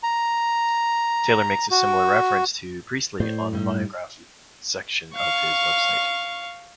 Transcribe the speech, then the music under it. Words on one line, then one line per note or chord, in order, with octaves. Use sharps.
Taylor makes a similar reference to Priestley on the biography section of his website.
A#5
F#4
A2 C5 D5
G2 G3 D#4
F5 C#6